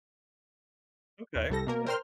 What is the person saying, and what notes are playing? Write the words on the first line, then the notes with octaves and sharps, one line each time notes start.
Okay. Yeah.
D#2
C2 G3 A4 A#6
B2 A#3 A#4
A#4 C5 G5 C6 F6